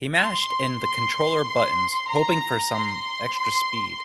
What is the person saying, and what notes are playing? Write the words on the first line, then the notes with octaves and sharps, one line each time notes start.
He mashed in the controller buttons, hoping for some extra speed.
C6
C6
C6
C6
A#5
C6
C6